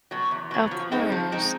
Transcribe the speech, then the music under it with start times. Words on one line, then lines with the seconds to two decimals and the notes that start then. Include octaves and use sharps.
Of course.
0.11 B2 F#3
0.31 E2
0.51 B2 F#3
0.71 F3
0.92 G#3 C4 D#4
1.12 F3
1.32 G#3 C4 D#4